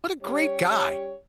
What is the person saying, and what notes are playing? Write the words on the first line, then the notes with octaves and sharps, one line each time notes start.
What a great guy.
G3 C#4 G4 C#5